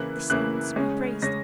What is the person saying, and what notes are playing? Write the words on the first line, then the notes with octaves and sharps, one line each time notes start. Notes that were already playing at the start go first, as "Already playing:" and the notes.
The saints be praised!
Already playing: C#3 E3 A#3 E4 F#6
C#3 E3 A#3 E4 F#6
C#3 G#3 C#4
C#3 G#3 C#4 A#6